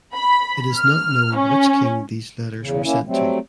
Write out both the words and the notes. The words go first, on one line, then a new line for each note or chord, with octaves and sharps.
It is not known which king these letters were sent to.
B5
F6
C#4
E2 C#3
A#3 C#4 E4
F#3 G3 A3 C4